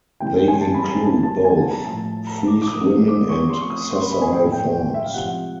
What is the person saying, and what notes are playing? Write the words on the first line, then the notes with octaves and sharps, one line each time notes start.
They include both free-swimming and sessile forms.
E3 G3 C4 G5
G5
G#5
A5
B5
A#5
B2 G3 A#3 A5
A5
G#5
G#5
A#5
A2 F3 A3 A5
A#5
D6
D6
C3 F3 A#3 D#4 D#6
D6
C#6
F3 A3 C4 F4 C6
C#6
D#6
C#6
C6
B5
B5
G#5
A2 F3 A#3 C#4 F4 G5
G5
E5
F5
C3 F3 G#3 F#5